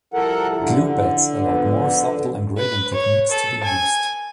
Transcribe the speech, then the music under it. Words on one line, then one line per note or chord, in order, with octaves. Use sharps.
Glue-bats allowed more subtle engraving techniques to be used.
F3 G3 E4 A4 A#4 F#5
D3
F3 B3 B4
B4
C#5
A4
G#5